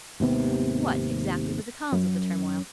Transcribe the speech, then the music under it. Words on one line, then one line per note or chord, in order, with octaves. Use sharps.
What, exactly was the cause of the turmoil?'
G#1 D#2 C3 B3
F#2